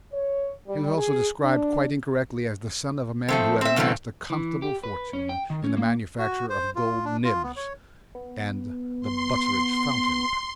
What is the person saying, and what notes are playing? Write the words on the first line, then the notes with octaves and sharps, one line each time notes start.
He was also described quite incorrectly as the son of a man who had amassed a comfortable fortune in the manufacture of gold nibs and the Butteridge fountain pens.
C#5
G3
G#4
D4
F3 A3 C4
C4 E5
G2 C#3 E3 A3 C4
E3
G4
B4
C#4
G5
D#3
C#4
A#3
F#4
C5
F4
D4
F4
B3
C#5
B3
C6